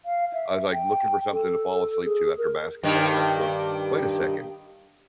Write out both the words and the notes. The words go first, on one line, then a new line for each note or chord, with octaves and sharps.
I was, like, looking for something to fall asleep to after basketball, and I was going, "Wait a second.
F5
E5
G5
A4
G#4
A#4
G2 D#3